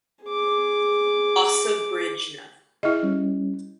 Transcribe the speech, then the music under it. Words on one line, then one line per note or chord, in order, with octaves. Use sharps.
Also bridge no.
G#4 D6
E4 G#4 D#5 E5 F6
G3 C#4